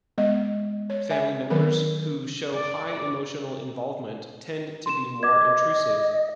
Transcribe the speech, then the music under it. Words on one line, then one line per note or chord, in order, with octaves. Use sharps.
Family members who show high emotional involvement tend to be more intrusive.
G#3 B3 D#5
C#5
E5 G#5
D#3 F#3 B3 A#4 B4
D5
C6 E7
D#5 D6 G#6